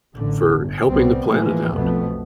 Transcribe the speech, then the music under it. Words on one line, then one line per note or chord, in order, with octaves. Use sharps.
for helping the planet out.
A1 D3
G1
C2 G3 B3 C4
A2 E3 F3 G#3 A#3
B1 F2 B2 A3 B3